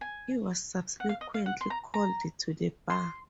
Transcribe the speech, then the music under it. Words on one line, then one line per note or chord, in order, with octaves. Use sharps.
He was subsequently called to the bar.
G#5
F#5
F5
D#5
F5
F#5
C6
A#5
A#5
C6